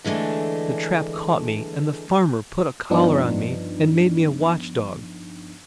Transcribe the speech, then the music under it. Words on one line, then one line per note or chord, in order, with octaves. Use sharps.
The trap caught me and the Farmer put a collar on me and made me a watchdog.
D3 E3 G#3 A3 D4
G2 F3 B3 D4 D#4